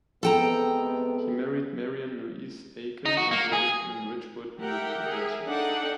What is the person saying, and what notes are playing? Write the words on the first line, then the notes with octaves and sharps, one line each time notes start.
He married Marion Louise Aiken and they lived in Ridgewood, New Jersey.
C3 G#3 B3 A4 G5 A#5
D#4
F#4
A#3
G#4
G4 A#4 E5 F#5 G5
G#4 A#4 E5
D4 D#4 A4 F#5 G5